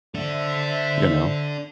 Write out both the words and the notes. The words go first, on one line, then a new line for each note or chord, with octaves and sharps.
you know?
D4 A4 C5 E5